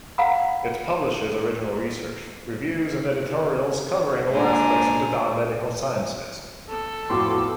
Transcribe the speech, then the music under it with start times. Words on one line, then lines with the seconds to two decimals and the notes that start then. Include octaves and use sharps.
It publishes original research, reviews, and editorials covering all aspects of the biomedical sciences.
0.18 F5 F#5 A#5 B5
4.31 A#2 G#3 D4 C5 G#5 A#5
6.70 A4
7.10 F2 A2 B3 F#4 F5 G5 C6 D6